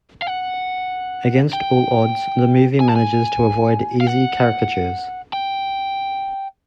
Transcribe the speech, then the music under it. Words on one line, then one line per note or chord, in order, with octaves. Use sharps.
Against all odds, the movie manages to avoid easy caricatures.
F5
F#5
G5
G#5
A5
G#5
F5
F#5
G5